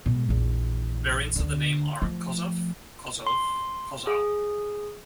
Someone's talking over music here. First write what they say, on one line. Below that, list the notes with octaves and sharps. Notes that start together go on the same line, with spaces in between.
Variants of the name are Kossov, Kosov, Kossow.
B2 G#3
A#1 E2
D2 D3
F3 A3
C6
G#4